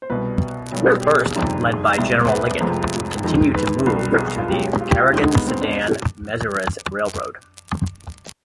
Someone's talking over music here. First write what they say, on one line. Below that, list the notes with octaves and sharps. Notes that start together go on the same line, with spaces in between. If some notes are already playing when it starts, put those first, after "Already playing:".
The First, led by General Liggett, would continue to move to the Carignan-Sedan-Mezieres Railroad.
C5
C2 B2 G3 B4
B1 B2 G3
G4
G#4
G1 F2 C3 D#3 G3
G#4
C2 B2 G#3
C5
B4
F1 F2 C3 F3 G#3
F2 D#3 G#3
B4
C2 B2 G3
G#4
F4
B1 B2 G#3 G4
F4
G4
F4
D#2 D3 G#3 D#4
B3
C4
D4